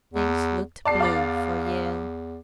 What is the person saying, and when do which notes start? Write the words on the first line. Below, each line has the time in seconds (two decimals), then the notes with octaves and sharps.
Things looked blue for Yale.
0.13 E2
0.85 E2 D5 A5 C7
1.00 F5 D6 A6